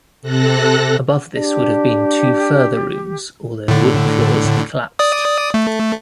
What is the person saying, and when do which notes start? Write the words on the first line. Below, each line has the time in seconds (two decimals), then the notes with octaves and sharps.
Above this would have been two further rooms, although the wooden floors have collapsed.
0.22 C3 A4 F#6 A#6
1.35 D4 G4
3.68 A2 D3
4.99 D5 D#6
5.54 A3